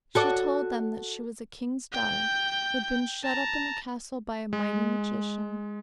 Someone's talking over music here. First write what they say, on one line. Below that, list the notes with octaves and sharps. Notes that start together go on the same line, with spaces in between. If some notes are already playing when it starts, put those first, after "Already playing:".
She told them that she was a king's daughter, who had been shut up in the castle by a mighty magician.
F#4 A4 D5
G5 G6
A5 A#5
G#3